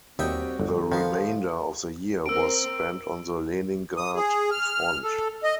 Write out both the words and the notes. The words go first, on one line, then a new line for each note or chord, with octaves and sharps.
The remainder of the year was spent on the Leningrad front.
D#2 G3 C4 F#4 D#5 E5 G5
G1 A4
D#3 F3 B3
C4 A#4 E6 D7
D#6
G#4
F6
A4
D#5